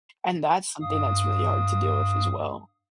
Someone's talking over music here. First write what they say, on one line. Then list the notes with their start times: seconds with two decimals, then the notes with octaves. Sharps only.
and that's something that's really hard to deal with as well.
0.82 G2 F5 D#6